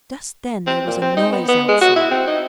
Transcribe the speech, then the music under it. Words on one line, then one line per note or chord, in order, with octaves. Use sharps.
Just then there was a noise outside.
C4
A#2
C4
D#4
B3
B3
G#3
F#4
E4
C4
D#4